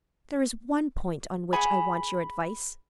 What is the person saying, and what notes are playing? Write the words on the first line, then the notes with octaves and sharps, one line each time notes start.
There is one point on which I want your advice.
G#4 F#5 G#5 B5